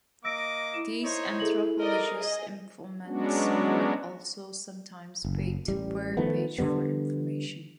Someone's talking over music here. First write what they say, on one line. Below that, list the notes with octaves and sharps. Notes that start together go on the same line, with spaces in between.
These anthropologists informants were also sometimes paid per page for information.
A#3 D#5 D6 E6 A#6 D7
E4 E7
D#4 C5 C#5
G#4 A4 F#7
D#4 A#4 D5 D#5
G#4 D#5
F#3 G#3 B3 C#4 D4 F#4
F#1
A1 G3
D#3 F3 A3 B3
D3 F3 G3 B3